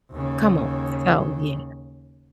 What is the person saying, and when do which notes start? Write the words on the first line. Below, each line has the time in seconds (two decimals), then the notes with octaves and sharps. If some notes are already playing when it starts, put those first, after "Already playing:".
come on, so, yeah.
0.11 D#2 C#3